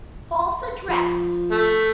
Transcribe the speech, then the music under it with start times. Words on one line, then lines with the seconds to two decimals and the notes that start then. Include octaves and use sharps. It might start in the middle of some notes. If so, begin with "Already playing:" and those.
"False address!"
0.88 F3
1.51 A3